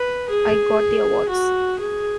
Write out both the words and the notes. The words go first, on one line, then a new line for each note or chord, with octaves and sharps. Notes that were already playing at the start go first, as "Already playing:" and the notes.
I got the awards.
Already playing: B4
G#4
F#4
G#4